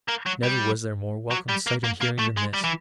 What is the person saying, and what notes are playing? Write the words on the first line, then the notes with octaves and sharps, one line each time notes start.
Never was there more welcome sight and hearing than this.
A#3
F#3
G3
F#3
G3
A#3
A#3
A#3
A3
G#3
G3
E3